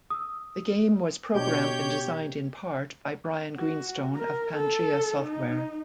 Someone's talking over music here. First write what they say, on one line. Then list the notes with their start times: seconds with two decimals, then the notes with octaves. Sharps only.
The game was programmed, and designed in part, by Brian Greenstone of Pangea Software.
0.10 D#6 E6
1.34 B2 D4 G4 C#5 D6 G6
3.57 F#4
4.15 A#4
4.56 A4
5.22 D#4